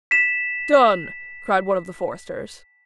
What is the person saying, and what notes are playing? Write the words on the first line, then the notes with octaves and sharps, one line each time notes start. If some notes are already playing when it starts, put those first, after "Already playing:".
"Done!" cried one of the foresters.
B6 E7